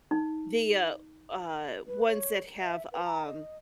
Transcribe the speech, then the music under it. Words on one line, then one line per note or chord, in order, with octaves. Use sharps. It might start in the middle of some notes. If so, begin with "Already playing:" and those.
the, uh uh, ones that have, um
D#4
B4
C#5
E5
B4
A#5
D#5